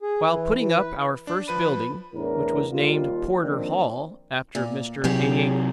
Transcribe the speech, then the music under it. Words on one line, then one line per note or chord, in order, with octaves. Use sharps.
While putting up our first building, which was named Porter Hall, after Mr. A.H.
G#4
E3
E3
B4
D4
F3 B4 B5 D#7
E2 A2 D4 A#4
D#2 G3 F4
D#3 F3 A#3 C4 D4
A#2
C3 F#3 G4 G#4 C#5